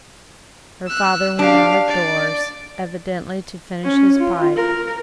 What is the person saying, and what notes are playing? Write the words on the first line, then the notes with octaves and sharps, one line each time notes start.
Her father went out of doors, evidently to finish his pipe.
E6 F#6
D4 G4 F5
D5
C#4
F4
A#4